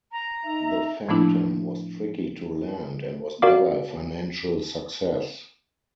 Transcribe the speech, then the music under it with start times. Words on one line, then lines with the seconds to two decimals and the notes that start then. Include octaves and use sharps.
The Phantom was tricky to land, and was never a financial success.
0.12 A#5
0.45 D#4 E5
1.08 A2 F3 A3 B3 D4 E4
3.42 F#4 A#4 D5 F5 D6